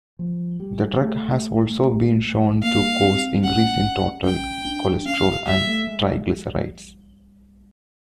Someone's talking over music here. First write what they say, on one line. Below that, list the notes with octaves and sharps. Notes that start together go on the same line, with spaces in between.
The drug has also been shown to cause increases in total cholesterol and triglycerides.
F3
G3
A3
A#3 F5
C4
C#4 F#5
C#4 G5
D4
C#4 F5
G3 E5
A3
G#3